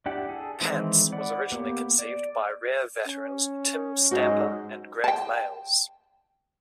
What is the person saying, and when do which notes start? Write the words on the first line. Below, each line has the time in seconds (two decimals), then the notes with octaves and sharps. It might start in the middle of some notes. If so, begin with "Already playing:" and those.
Pants was originally conceived by Rare veterans Tim Stamper and Gregg Mayles.
0.06 D4 E4 G4 F#5
0.29 G#4 A4
0.61 D#3 E3 G#3 C4 E4
1.12 D5 F#5 B5
1.52 A#3 B3 G4
1.99 D5
3.07 C#4
4.11 G#2 F#3 F#4 C5 D#5
5.04 G5 A5